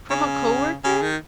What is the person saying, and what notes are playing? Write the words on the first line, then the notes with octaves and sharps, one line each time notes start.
From a coworker?
C#3
C#3
D#3